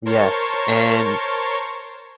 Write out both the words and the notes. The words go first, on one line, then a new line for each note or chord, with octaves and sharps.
Yes, and
A#4 C5 C#5 A5 C6 C#6